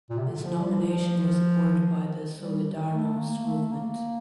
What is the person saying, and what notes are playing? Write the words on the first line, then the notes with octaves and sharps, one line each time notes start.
His nomination was supported by the Solidarnost movement.
A#2
C3
D3
F3
G3
F3
G3
A3
A#3
A3
A#3